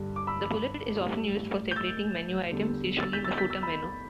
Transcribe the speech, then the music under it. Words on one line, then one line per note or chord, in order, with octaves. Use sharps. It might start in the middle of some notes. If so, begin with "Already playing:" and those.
The bullet is often used for separating menu items, usually in the footer menu.
Already playing: G2 D3 G3
D6
B5 E6
A2 G3
G6
E6 A6
E2 D3 G3
E6 A6
G6 B6
E6 A6
G6 B6
E6 A6
B5 E6